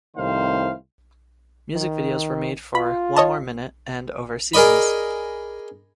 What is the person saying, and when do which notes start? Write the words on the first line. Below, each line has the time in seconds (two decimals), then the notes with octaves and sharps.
Music videos were made for "One More Minute" and "Over Seasons".
0.16 C2 A2 C3 D#3 C5 F5
1.74 D#3
2.75 F4 B5
3.17 C#5 D#5 A5
4.54 G#4 A#4 D5 D#5 B5